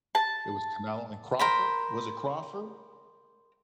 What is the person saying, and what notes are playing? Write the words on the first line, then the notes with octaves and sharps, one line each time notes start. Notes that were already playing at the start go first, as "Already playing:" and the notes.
It was Canelo and Crawford? Was it Crawford?
A5
A#4 C5 B5